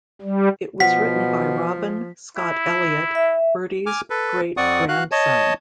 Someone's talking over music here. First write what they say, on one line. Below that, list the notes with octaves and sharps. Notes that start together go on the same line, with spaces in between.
It was written by Robin Scott-Elliot, Bertie's great-grandson.
G3
B2 F3 F#5 B6
E4
E5
G#5 D6 F6
A4 B4
F2 C4 D5 F#5 C#6 D#6
F#4 F5 F#6
C#5 D#5 A5